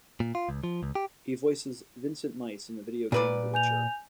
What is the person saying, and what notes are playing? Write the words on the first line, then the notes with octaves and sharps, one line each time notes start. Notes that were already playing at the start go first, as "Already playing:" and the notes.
He voices Vincent Meis in the video game "The Witcher".
A#2
F4
C#2
F3
C#2
G4
A#2 B4 D5
G#5 G6 F7